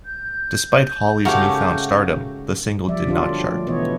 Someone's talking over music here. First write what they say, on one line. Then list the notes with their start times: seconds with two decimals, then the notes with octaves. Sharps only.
Despite Holly's newfound stardom, the single did not chart.
0.05 G6
1.25 G#2 C#3 A3 C#4 F#4 G4 A#4 F5
2.88 F3 G3 D5 E5
3.06 D3 F#3 D4 F4 G4 D5
3.23 A4
3.47 F3 A3
3.66 B2 E3 A3 B3 C#5 D#5